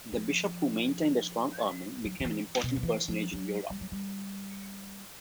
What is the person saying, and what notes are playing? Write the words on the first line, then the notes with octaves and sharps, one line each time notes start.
The bishop, who maintained a strong army, became an important personage in Europe.
F3
F#3
D#3
E3
B2
F3
E3
F3
F#3
G3
F#3
G3